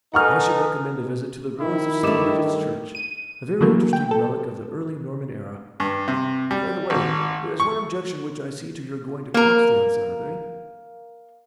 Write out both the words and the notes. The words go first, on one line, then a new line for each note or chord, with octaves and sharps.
I should recommend a visit to the ruins of St. Bridget's Church, a very interesting relic of the early Norman era. By the way, there is one objection which I see to your going to Croxley on Saturday.
D#4 A4 B4 F#5 G#5 C#6 F6
D#3 E4
G2 A3 D#4 D6 E7
D#7
D3 E3 F#3 A3 A#3
G5
A4
G2
C3
G3
G#1
C#6
A#3 A#4